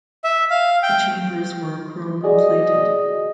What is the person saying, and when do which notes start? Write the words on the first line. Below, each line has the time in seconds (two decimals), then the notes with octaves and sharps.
The chambers were chrome-plated.
0.24 E5
0.50 F5
0.83 G5
2.24 F#4 G#4 D5 D#5